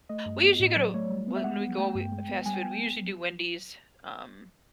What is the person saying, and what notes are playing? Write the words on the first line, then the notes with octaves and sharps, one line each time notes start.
we usually go to w when we go we fast food, we usually do Wendy's. Um,
A3 D#5
G2
B3
A2
F#3 D5
A3 C#5
G3
B3
E5
G#3 F#5
B3
A3 G5
G2
G#3
B3
G3 G#5
G5
B3 G#5
G5